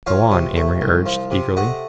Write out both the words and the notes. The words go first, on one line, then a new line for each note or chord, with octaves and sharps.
"Go on," Amory urged eagerly.
F3 C#5 F5
C3
A3
C2
F3
C3
A3 D#5 F#5